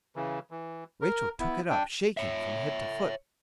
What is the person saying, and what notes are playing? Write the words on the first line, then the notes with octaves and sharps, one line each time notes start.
Rachael took it up, shaking from head to foot.
C#3 E3
E3
A#4
B3 E4
D4 G5
C#5 E5